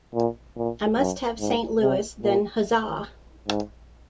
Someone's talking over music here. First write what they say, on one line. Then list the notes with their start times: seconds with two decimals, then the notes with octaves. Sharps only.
I must have Saint Louis-then Huzza!
0.15 A#2
0.57 A#2
0.98 F#2
1.40 G#2
1.81 C3
2.23 A#2
3.48 G#2